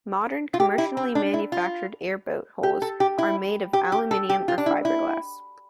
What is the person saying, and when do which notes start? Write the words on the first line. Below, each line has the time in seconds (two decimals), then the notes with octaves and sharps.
Modern, commercially manufactured airboat hulls are made of aluminum or fiberglass.
0.54 F4
0.60 G4
0.78 E4
0.97 C4
1.15 D4
1.34 E4
1.52 F4
2.63 G4
2.82 A4
3.00 G4
3.18 E4
3.73 G4
3.92 G4
4.11 A4
4.30 G4
4.48 F4
4.58 D4
4.66 E4
4.85 E4